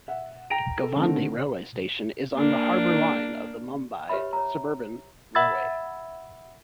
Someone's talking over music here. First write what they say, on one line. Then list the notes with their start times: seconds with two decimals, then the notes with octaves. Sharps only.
Govandi railway station is on the Harbour Line of the Mumbai Suburban Railway.
0.08 E5 F#5
0.50 G5 A#5 A#6 D7 F7
0.83 A4
0.96 D3 D#3 A3 C4
2.36 A#3 D4
4.09 G4 B4 C#5 E5 B5
4.33 C#5 A#5
5.35 E5 F#5 B5 E6 G#6 A6